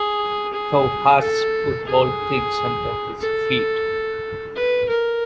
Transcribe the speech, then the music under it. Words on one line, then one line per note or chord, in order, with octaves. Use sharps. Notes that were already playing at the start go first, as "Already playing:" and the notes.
Thou hast put all things under his feet.
Already playing: G#4
G#4
A4
G#4
A4
B4
A#4